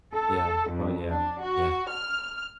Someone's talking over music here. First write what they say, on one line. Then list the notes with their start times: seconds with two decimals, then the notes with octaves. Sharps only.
Yeah. Oh, yeah. Yeah.
0.13 A4
0.72 F2
1.10 D4
1.42 F#4
1.90 F6